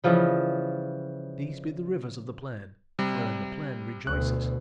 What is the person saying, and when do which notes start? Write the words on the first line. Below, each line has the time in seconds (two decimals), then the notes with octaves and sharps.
These be the rivers of the plain, wherein the plain rejoices.
0.04 C#3 E3 F3 G3
2.99 C3 G3
4.07 D2 B2 F#6